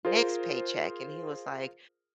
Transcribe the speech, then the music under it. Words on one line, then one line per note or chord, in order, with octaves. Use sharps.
next paycheck.” And he was like,
F4 G#4 A#4 C5